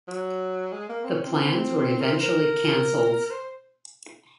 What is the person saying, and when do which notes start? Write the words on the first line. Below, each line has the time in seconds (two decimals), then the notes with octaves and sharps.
The plans were eventually cancelled.
0.08 F#3
0.72 G#3
0.89 A#3
1.04 C4
1.14 C#4
1.24 C4
2.01 A#4
2.11 C5
2.20 A#4
3.30 C5